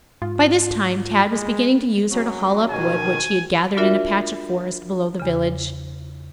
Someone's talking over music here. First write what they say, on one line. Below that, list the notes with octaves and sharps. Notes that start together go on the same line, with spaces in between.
By this time, Tad was beginning to use her to haul up wood which he had gathered in a patch of forest below the village.
G#2 F4
G#3
F#2 F#3
B2 D#3 G#5
D4 F4 F#4 A#4 D5 E5
E2 C#3